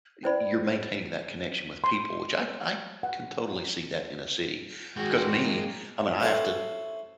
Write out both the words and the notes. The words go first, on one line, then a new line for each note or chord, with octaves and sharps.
y you're maintaining that connection with people, which I c I can totally see that in a city, because me, I mean, I have to
C#4 E4 C5 D5 B5
C6
F#5
G#3 F#4 G5
A#3
C#4 E4 A4 C5